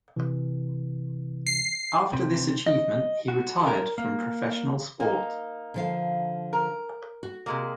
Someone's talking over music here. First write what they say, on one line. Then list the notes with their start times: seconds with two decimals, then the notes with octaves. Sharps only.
After this achievement he retired from professional sport.
0.16 C3 E3
1.47 C7
2.13 C3
2.66 D#5
3.28 F#4
3.67 A#4
3.98 A#3
5.00 A#3 D#4
5.74 D3 F3 F5
6.53 A#4
7.23 F#4
7.46 C3 G#3 A#3